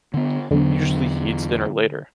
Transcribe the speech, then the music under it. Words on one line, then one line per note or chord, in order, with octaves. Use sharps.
Usually he eats dinner later.
D3 B3
E2 D3 F#3 B3